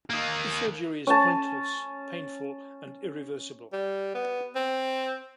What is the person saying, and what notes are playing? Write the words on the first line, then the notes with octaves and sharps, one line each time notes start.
The surgery is pointless, painful and irreversible.
D#3 A#3
C#4 A5
G3
B3
C4